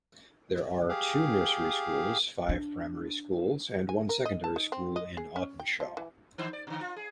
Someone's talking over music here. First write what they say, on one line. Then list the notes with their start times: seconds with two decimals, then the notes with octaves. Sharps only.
There are two nursery schools, five primary schools, and one secondary school in Audenshaw.
0.89 G4 G#4 F5
2.49 D4
3.89 G#5
4.09 A#4
4.25 D#5
4.44 A5
4.56 D#4
4.72 C4
4.96 D#5
5.17 G#4
5.36 C#4
5.60 G5
5.80 F3
5.97 E3
6.38 D#3 D#4 C5
6.53 D5
6.67 B2 D3
6.81 F4
6.96 G#4